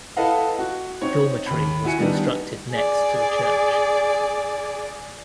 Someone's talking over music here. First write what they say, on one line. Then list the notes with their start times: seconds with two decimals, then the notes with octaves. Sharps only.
Dormitory was constructed next to the church.
0.16 E4 A4 B4 D#5 F5 F#5
0.59 F#4
1.01 C4 D#4 C#5
1.46 D#2 B5
1.84 E4 F#4 G#5 C#7
1.99 D#3 G3 B3 D4 D#4
2.72 G#4 D5